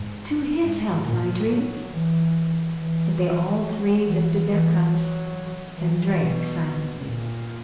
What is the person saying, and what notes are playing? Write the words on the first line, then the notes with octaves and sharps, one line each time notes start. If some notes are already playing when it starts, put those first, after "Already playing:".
To his health I drink,' and they all three lifted their cups and drank silently.
Already playing: G#2
G#2
A#2
F#3
E3
E3
F#3
E3
E3
F#3
E3
B2
A#2